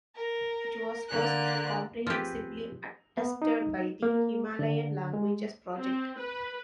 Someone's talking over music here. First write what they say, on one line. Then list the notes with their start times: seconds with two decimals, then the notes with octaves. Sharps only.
It was first comprehensively attested by the Himalayan Languages Project.
0.16 A#4
1.08 D3 A#3 F#6
2.07 F3 C4 G4 G#4 B4
3.18 B3
3.42 D#4
4.03 A#3
4.59 D3
5.14 G#3
5.78 C4
6.18 B4